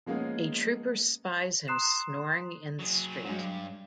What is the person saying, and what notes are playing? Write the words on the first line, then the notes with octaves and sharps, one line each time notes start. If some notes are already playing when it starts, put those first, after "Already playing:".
A trooper spies him snoring in the street.
F3 G#3 A#3 B3 C#4 D#4
A#5 C6 D#6 F#6 C7 E7
F#3 G#4
G2 F#3 G#3